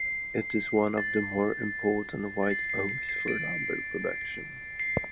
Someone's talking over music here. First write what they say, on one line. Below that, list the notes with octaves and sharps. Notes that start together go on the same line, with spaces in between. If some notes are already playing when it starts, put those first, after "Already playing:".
It is one of the more important white oaks for lumber production.
Already playing: C7
A6
A6
C7
C7
C7
C7
A6 D7
C7